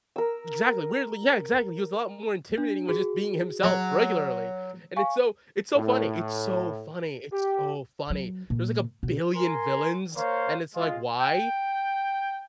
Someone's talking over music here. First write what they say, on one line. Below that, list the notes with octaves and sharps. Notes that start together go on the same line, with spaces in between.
Exactly, weirdly Yeah, exactly, he was a lot more intimidating with just being himself regularly, and it's so it's so funny. It's so funny. It's so funny, there was, like, a billion villains, and it's like, "Why?"
A#4 E6
D4
F#4 G#4
F#3
F5 G#5 C#6
A2
G4
F#3
A#2
B2
A#4 G#5 C6
A#3 C5 C#5 F5
G#3 F4
G5